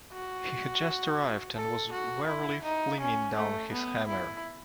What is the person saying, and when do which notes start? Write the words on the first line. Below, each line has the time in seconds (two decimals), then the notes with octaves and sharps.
He had just arrived, and was wearily flinging down his hammer.
0.12 F#4
1.55 A4
1.91 F#4
2.27 E4
2.64 D#4
3.00 C#4
3.35 A3
3.72 B3
4.08 E4